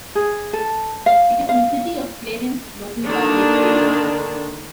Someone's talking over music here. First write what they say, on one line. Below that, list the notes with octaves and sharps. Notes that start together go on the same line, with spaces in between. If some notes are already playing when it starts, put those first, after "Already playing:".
It is in the City of Clarence local government area.
G#4
A4
F5
F5
D3 D#3 A#3 D4